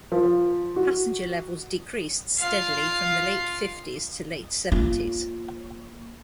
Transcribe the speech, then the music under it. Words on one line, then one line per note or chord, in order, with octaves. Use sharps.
Passenger levels decreased steadily from the late fifties to late seventies.
F3
F#4
F4 F5
A#3 F4